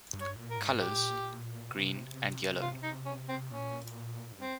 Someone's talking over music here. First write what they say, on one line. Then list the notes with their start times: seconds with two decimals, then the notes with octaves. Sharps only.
Colours: Green and Yellow.
0.13 G2
0.21 C#5
0.36 A#2
0.50 A#4
0.58 G#2
0.80 A#2 G4
0.88 G#2
0.96 A#2
1.71 C3
2.62 F4
2.83 D#4
3.06 C#4
3.28 C4
3.51 A#2 C#4
4.32 G2
4.41 C4